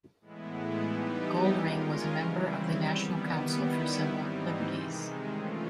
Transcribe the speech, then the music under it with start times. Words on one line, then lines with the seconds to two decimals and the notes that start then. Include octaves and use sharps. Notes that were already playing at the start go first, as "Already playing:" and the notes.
Goldring was a member of the National Council for Civil Liberties.
0.20 A2 E3 G#3 B3 E4
0.84 E3 G3 B3 D#4 G4
1.48 G#3 C#4 F4 A#4
2.11 C#3 E3 G3 C4 E4
2.77 D#3 G3 B3
3.40 D#3 G3 B3 E4
4.04 G#2 E3 G3 C4 D#4
4.68 C3 D#3 G#3
5.32 E3 A3 C#4 F4